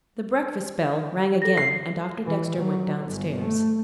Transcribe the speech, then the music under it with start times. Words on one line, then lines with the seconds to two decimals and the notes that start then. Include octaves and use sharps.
The breakfast bell rang again, and Doctor Dexter went downstairs.
1.42 A4 A#6
1.57 C7
2.25 E3
2.57 F#3
3.05 G1
3.40 A3